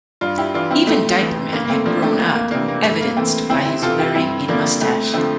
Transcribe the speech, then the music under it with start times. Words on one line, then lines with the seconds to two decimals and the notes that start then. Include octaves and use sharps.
Even Diaper Man had grown up, evidenced by his wearing a mustache.
0.21 G2 D4 F4
0.38 E4 G4
0.54 E3 D4 F4
0.71 C4 E4
0.87 F2 A3 C4
1.20 E3
1.53 G2 A#3
1.65 A#3
1.69 A3 C4
1.86 F3 A#3 D4
2.02 A3 C4
2.19 F2 A#3
2.35 A#3
2.51 C3 E3 A#3 D4
2.68 A#3
2.84 G2 A3
3.01 A#3
3.17 E3 A3 C4
3.49 F2 C4 E4
3.66 E4 G4
3.82 C3 E3 F4 A4
3.99 E4 G4
4.15 G2 C4 E4
4.48 D3 F3 A#3 D4
4.81 F2 A3 C4
5.13 D3 F3 A3 C4